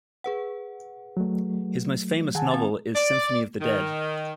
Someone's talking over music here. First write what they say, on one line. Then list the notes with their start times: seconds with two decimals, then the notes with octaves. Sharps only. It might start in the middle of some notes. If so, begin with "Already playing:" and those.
His most famous novel is "Symphony of the Dead".
0.24 G#4 B4 F#5
1.17 F#3 A3
2.35 D#3 F#5 G#5 A5
2.51 C4 A6
2.95 D5
3.61 D#3